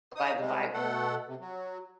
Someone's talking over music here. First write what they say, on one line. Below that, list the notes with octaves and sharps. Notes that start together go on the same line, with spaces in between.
by the Bible.
D#4 D#6
C3 G3 G#3
B2 A3 A4 F#5
C3
F#3